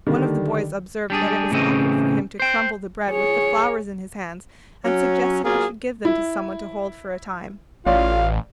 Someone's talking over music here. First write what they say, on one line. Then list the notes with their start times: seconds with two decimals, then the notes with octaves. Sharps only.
One of the boys observed that it was awkward for him to crumble the bread with the flowers in his hands and suggested he should give them to some one to hold for a time.
0.07 D3 D#3 G3 D4
1.10 G3 D4 G#4
1.51 A2 C#3 E3 C4 D#5
2.40 C5 G5
3.08 G#4 C#5
4.83 F#3 C#4
5.43 F#3 A#3 F4 G#4
6.05 E4
7.86 A1 F4 C#5 D5 F5